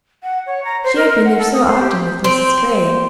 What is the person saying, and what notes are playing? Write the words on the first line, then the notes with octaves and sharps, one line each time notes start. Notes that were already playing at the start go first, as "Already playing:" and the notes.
She had been there so often with Mrs. Gray.
F#5
C#5
A#5
C5
A#4
A#4
F#5
A4
D#6
C5
G4
C4